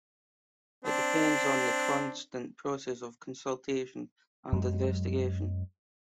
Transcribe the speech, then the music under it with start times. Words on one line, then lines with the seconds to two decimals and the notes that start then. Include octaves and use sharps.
It depends on a constant process of consultation and investigation.
0.85 C4 D4
4.52 F#2 F#3 G#3